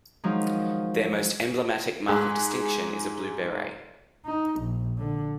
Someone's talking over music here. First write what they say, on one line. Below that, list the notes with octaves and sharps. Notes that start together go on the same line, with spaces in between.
Their most emblematic mark of distinction is a blue beret.
D#3 F3 F#3 G#3 D#4
G#2 G#4 F#6
D#4
A#1
D3